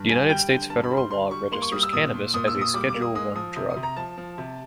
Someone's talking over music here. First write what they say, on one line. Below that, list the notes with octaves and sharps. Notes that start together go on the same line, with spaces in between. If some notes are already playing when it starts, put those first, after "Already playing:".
United States federal law registers cannabis as a Schedule One drug.
Already playing: G2
G3 G#5
G3 G5
D3 G5
G2 A5
B5
G3
C6
D3 C6
G3 C#6
A#3 C6
C#6
G3 D#6
E6
A#2 D#6
A#2
A#2 D#6
E6
A#2
D#6
G3 D6
D6
A#3
D#6
G#3 D#6
F3 D#6
C3 D#6
D#6
C3
A#5
F3 A5
F3
C3